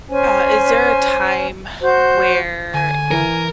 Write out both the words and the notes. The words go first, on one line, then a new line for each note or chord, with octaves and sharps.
uh, is there a time where,
C#4 C5 G#5
F#4 C5 G6
D3 G#5
E3 A#4